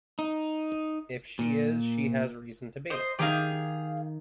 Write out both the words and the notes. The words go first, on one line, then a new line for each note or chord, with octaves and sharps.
If she is, she has reason to be.
D#4
A#2
C5 D#5
D#3 D#4 G4 G#4 F5